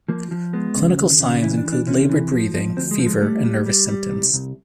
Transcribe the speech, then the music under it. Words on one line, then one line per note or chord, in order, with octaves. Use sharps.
Clinical signs include laboured breathing, fever and nervous symptoms.
F3 A#3
F3
G#3 B3
C#3
D#2
C#3
E3 E4
D4
E3
D4
C3 C#4
E3
F3
F3
D2 C4
G#3
F3
G#3
G3 A3
G3
G3
G3
C2
C2